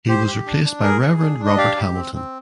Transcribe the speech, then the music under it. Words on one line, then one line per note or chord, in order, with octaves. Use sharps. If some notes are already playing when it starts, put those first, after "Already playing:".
He was replaced by Rev Robert Hamilton.
G4 C5
G4
D4
D4
G#4 A#4
G#4
D4
D4
D#5
G4 D5 F5
G4
C4
C4